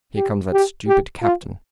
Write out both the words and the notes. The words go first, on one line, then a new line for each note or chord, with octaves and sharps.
"Here comes that stupid captain."
G4
G4
G4
F4